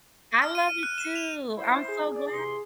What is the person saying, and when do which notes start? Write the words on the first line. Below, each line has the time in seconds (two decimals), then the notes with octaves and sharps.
I love it too, I'm so glad.
0.42 F6
0.55 D#7
0.68 D#7
0.83 F#6
0.98 E7
1.16 F7
1.57 E4 C5
1.88 G#4
2.14 D5
2.31 E2 C3 C6